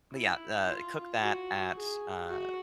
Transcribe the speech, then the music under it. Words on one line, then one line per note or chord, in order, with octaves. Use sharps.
but, yeah, uh, cook that at, uh,
E4
F4
F#4
G#4
F#4